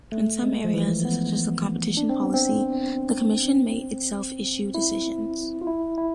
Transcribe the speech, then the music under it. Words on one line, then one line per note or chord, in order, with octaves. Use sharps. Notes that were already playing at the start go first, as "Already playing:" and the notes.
In some areas, such as competition policy, the Commission may itself issue decisions.
A3
G#3
F3
E3
B3
D4
C4
B3
C4
E4
F4
E4
E4